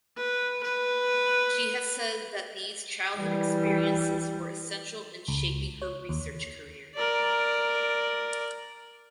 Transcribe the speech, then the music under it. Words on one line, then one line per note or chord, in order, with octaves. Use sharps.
She has said that these childhood experiences were essential in shaping her research career.
B4
B4
E3 G3
C#2
C#5
D#2
A#4 D5